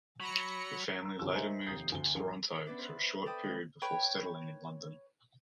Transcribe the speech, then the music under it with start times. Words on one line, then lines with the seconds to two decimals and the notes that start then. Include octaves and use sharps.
The family later moved to Toronto for a short period before settling in London.
0.20 F#3 B5 A#6 C#7
1.02 A#5 E6
1.19 G1 C2 F3 E6
1.34 A#4 C5 D#5 E5 G#5 A#5
1.67 F1 D#2 A#5 D#6 G6 C7
1.92 D2 G7
2.15 A1
2.66 B3 C#4 D4 B4 D5 E5
2.78 B4 C5
3.26 A4 D5 E5 G5 B5 D#6
3.43 D#3 G#3
3.82 B4 C#5 G5